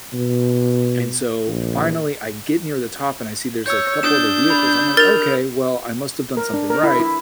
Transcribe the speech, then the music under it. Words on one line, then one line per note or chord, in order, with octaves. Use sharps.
And, so, finally I get near the top and I see there's, like, a couple other vehicles. I'm like, "Okay, well, I must have done something right."
B2
A#1
C#5 E6 G6
D4 D#6 G6 E7
B5
A#4 F6 A6 F7
A#4
D4
A#4
E4
E4